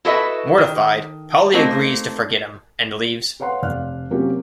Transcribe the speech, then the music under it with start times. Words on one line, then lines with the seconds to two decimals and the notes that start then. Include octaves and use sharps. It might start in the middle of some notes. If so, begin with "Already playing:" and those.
Mortified, Polly agrees to forget him, and leaves.
0.05 E4 F#4 A4 B4 D#5 E5
0.58 D#3
1.53 A3 A#3 C4 D#4
3.40 B4 C#5 F5 F#5 C6
3.63 F1 D5 F5 F6 F#6
4.11 C3 F#3 A#3 C#4 F4 G4